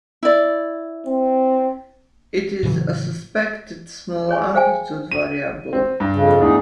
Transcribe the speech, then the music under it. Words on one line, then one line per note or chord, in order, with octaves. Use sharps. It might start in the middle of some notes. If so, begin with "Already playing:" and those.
It is a suspected small amplitude variable.
E4 D5
C4
A2 C#3 E3 F#3
G#4 C#5 G#5
G#4 C5 F5 G5 G#5
D#7
C4
G2
F2 C#3
E2 A2 D4 D#4 G#4